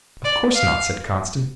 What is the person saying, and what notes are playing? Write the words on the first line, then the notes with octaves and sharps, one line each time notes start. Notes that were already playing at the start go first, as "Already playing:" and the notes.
"Of course not," said Constance.
D5
F5